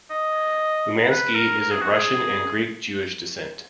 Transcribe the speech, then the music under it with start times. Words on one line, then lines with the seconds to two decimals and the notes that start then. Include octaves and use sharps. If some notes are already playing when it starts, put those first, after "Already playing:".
Umansky is of Russian and Greek Jewish descent.
0.10 D#5
1.10 B4
1.35 A#4
1.61 A#4
1.71 G#4
1.81 F#4
1.91 G#4